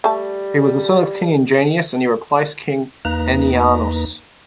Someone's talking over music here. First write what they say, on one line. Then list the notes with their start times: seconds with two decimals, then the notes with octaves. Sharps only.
He was the son of King Ingenius and he replaced King Enniaunus.
0.04 G3 A3 A5
3.05 E2 A#3 D#4 B4 A#5